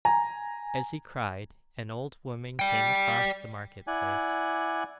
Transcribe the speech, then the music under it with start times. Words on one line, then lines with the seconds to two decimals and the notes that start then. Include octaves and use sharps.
As he cried an old woman came across the Market Place.
0.05 G#5 A#5
2.59 D5 G5
3.87 E4 D5 F#5 G#5